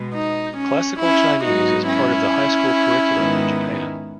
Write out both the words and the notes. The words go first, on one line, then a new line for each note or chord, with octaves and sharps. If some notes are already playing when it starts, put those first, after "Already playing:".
Classical Chinese is part of the high school curriculum in Japan.
Already playing: B2 G#3 B3
D#4
C#4
C#4 E4
G#2 F#3 B3 D#4 F#4
C#4 E4
G#2 D#3 G#3 B3